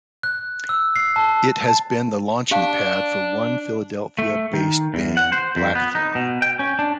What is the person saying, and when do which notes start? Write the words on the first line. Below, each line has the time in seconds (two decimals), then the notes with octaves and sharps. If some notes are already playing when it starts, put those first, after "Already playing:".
It has been the launching pad for one Philadelphia based band Blackthorne.
0.23 F#6
0.69 E6
0.96 C7
1.16 A5
1.68 A5
2.51 D4 G4 D5 F5 A5
4.19 A3
4.53 D#3
4.94 E2
5.17 F#5
5.32 C5
5.56 F2
5.75 B3
5.95 D#4
6.15 B2
6.42 G5
6.59 C#4
6.79 D4